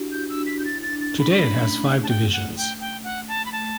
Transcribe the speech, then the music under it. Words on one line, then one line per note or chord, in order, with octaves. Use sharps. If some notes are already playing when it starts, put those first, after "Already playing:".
Today it has five divisions.
Already playing: D4 E4 F#4 G4
G6
D4 F#4 E6
B6
G6
E4 A6
A6
D4
A6
C#4 B5
C#6
A3 B5
A5
G5
F#5
G5
G5
F#5
A5
B5
A3 A5